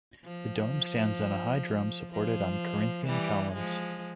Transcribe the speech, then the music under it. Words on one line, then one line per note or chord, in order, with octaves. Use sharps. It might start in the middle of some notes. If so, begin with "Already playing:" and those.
The dome stands on a high drum supported on Corinthian columns.
F3
F3
E3 G3
F3 G#3